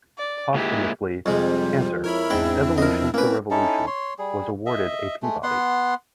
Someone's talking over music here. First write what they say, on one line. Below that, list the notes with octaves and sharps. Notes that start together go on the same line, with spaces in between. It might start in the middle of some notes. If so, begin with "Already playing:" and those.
Posthumously, "Cancer: Evolution to Revolution" was awarded a Peabody.
D5
A#2 G#3 E4 G4
F2 C3 F3 G3 G#3 C4
E4 A#4 C#5 B5
E2 G#2 C4 D4 G5 B5
F2 A#4 D#5
A2 A#3 C4 C#4 B4
C#4 D#4 E4 A4
C#5 C6
G3 G#4
D#5 E5
G#3 A3
B3 F#5 C6